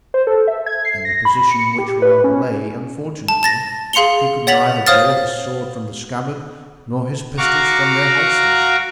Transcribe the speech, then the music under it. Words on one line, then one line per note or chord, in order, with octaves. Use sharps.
In the position in which Raoul lay, unfortunately, he could neither draw his sword from the scabbard, nor his pistols from their holsters.
C5
A4
E5
G#6
C7
A#6
B5
C#7
G4
B4
C#4
A5
A5 A6 A#6
G#4 F5 C6 C#7 F7 G7
C#5 F#5 A6 B6 F7 F#7
C5 C#5 F5 D#6 F6 A6
F#4 F5 A#5 C#6 D6